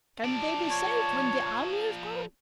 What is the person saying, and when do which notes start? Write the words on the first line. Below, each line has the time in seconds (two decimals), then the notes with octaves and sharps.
Can they be saved when the army has gone?
0.24 F3 D5 A5
0.70 C#5